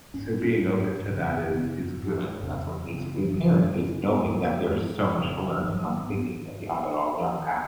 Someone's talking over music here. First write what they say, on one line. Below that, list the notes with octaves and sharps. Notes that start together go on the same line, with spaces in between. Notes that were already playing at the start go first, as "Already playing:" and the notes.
So being open to that is is good, and that's what makes a good parent is knowing that there's so much to learn and not thinking that you have it all down pat.
G#2 C#4
B3
C#4
G#2
F#2 C#3
F#2 C#3 B3
G#2
F2 C#3
F#2
C#3
F3
F#2 C#3 F#3
F3
B3
F#2 C#3 C#4
B3
F#2 C#3 A#3
A#3
G#3
G#2
F2 C#3
G#2 F3
F#3
A#3
B3
G#2 B3